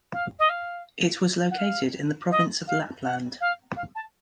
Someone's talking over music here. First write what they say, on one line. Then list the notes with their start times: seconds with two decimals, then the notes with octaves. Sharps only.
It was located in the province of Lapland.
0.13 F5
0.39 D#5
0.49 F5
1.51 F#5
1.58 F5
2.31 D#5
2.68 F5
3.04 F#5
3.41 F5
3.76 F5
3.95 A5